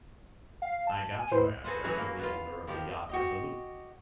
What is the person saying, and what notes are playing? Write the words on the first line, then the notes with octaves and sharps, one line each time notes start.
I got your address from the owner of the yacht Resolute.
F5
A5
G#5
A2 B4 C5
F#4 G#4 A4 B4 C5
E3 F#3 A3 C#4 G#4
A#3
B3 F4
D#3 F3 G4
F#4 G4 D#5